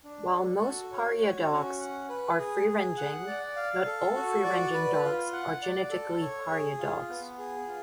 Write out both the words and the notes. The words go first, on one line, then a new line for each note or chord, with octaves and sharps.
While most pariah dogs are free-ranging, not all free-ranging dogs are genetically pariah dogs.
D4
A4
F#4
C#5
F#4
C#4
F#5
B4
G#4
G#4
F#5
D5
F5
A4
F#4
D5
B4
F4
F#5
D5
A4
C#5
G#4
F4
B3
G#4
F4